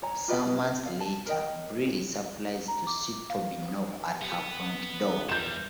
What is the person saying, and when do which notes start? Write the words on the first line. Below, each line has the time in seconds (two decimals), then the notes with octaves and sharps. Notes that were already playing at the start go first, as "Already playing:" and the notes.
Some months later, Bree is surprised to see Toby knock at her front door.
0.02 C#5 G#5 A#5
0.28 F4 G4 B4 D#5
0.86 A4 D5 F5
1.00 A5
1.26 A#4 C#5 D#5 G5
2.68 A#5
2.87 D6
3.30 F5
4.22 B3
5.29 E2 G3 G6 E7